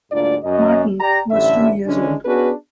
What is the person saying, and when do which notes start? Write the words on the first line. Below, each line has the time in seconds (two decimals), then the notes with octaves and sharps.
Martin, who was two years old.
0.12 D2 G#2 A#3 D4 F4 D5
0.44 F#2 D#5
0.99 G4 D5 G5 A#5
1.31 A1 G2 D3 E5
1.86 D3 E3 G#3 C#4 D4
2.25 B3 C#4 D4 F#4 G#4 B4